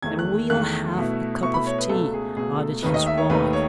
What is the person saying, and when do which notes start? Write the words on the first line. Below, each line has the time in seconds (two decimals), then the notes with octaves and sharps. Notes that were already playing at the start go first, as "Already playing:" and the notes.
"And we'll have a cup of tea," added his wife.
0.02 E2 D#3 A3 G#6
0.19 F#6
0.50 E2 D#3 A3 F#6
0.97 B2 A3 E4
1.43 B2 A3 E4 C#6
1.54 B5
1.66 C#5
1.78 B4
1.89 C#2 B2 A3 A4
2.14 G#4
2.36 C#2 B2 A3 G#4
2.59 A4
2.83 D#2 D#3 A3 D#4 B4
2.94 D#5
3.06 E5
3.18 C#5
3.29 D#2 D#3 A3 D#4 B4
3.53 C#5